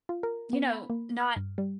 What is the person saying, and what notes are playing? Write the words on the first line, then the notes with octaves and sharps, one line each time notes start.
you know, not
F4
A#4
B3
B5
A#3
F6
G2
G3